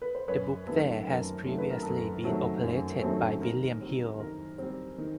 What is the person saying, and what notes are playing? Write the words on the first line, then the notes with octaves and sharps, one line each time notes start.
The book there had previously been operated by William Hill.
B4
C5
F#2 B4 C#5
D#3 F#3 A3 C4 A4 B4
F#2 A#4
D#3 F#3 A3 C4
B4
A#4
F#2 A4
A#4
D#3 F#3 A3 C4
F#2
D#3 F#3 A3 C4
D#3 A#4
G3 C4
D#3 A#4
G3 C4
D#3